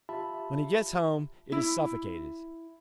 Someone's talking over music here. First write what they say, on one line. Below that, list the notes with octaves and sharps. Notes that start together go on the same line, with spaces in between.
When he gets home it is suffocated.
F4 G4 E5 A5 B5
E4